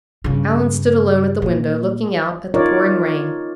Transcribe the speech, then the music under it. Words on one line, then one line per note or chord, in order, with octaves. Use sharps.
Allan stood alone at the window, looking out at the pouring rain.
G2 C#3
A#2
D#4 F4 A#4 C#5 D5